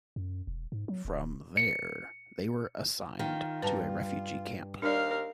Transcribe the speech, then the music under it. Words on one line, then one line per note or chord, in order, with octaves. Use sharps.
From there, they were assigned to a refugee camp.
F#2
E1
G#2
F#3
D#1
C#7
D#3 F4
G2 B4 A5 A#5
D#2 D4 A#4 D5 F5